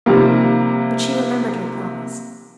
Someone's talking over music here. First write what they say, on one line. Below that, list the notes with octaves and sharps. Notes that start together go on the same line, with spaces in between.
But she remembered her promise.
C3 D#3 F3 G3 A#3